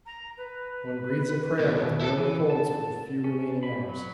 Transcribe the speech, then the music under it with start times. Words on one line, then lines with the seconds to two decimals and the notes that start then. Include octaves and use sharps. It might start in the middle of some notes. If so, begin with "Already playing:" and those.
One breathes a prayer that the Road holds for the few remaining hours.
0.06 A#5
0.37 B4
1.59 D#2 B2
2.01 E4 A4
2.18 E3
2.50 A5
3.24 C#4
3.63 B5
3.89 F#3